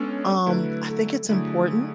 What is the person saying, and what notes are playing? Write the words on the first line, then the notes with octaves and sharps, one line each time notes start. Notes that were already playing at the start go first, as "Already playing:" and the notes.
um, I think it's important
Already playing: G#3 B3 C#4 D4 A4 C#5
D3 F#3 A3 E4 B4
A4
D3 F#3 A3 E4 G#4